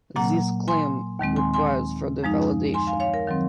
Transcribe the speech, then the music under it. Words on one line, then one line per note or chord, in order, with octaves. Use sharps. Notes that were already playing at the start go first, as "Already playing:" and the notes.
This claim requires further validation.
A#2 F#3 A#3 F#5 A#5
G#5 C6
D#2 D#3 G#3 C4
G#5 C6
G#5 C6
F#2 F3 G#3 D#4
G#5 C6
F5 G#5
C#5 F5
A#4
D#3 F#3 C4